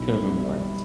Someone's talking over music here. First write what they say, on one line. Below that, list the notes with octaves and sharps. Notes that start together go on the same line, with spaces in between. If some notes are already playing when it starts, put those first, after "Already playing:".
could have been worse.
Already playing: B1 B2 E4
G3